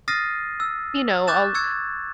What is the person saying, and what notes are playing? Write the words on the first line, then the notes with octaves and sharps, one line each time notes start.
you know, I'll
D#6 F6 A6 A#6 C7 D#7
E6
C#6 D6 F#6 G6 A6 E7
C#6 E6 F#6 G#6 C#7